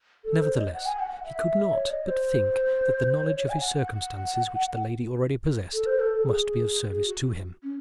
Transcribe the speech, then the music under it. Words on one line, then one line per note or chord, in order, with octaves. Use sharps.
Nevertheless, he could not but think that the knowledge of his circumstances which the lady already possessed, must be of service to him.
A4
C5
D#5
F#5
G#5
F#5
F#5
E5
C#5
D#5
C5
C#5
C#5
G#5
F#5
A4
C5
A4
A4
G#4
G#4
F#4
C#4